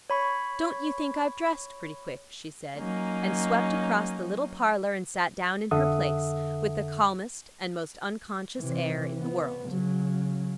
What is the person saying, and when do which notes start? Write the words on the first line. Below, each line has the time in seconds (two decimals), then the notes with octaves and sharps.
"Don't you think I've dressed pretty quick?" she said, and swept across the little parlor, and sat down in her place, with the calmest and most unconscious air in the world.
0.10 C#5 B5 C#6
2.77 F#3 A#3 C#4 D#4
5.71 F2 D3 A4 E5 F#5 D#6
8.57 C3 E3
9.19 B3
9.67 C#3 F#3